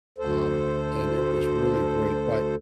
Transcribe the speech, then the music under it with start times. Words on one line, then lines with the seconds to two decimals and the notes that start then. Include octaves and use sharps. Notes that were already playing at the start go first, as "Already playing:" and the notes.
um, and it was really great, but,
0.18 D2 A4 C5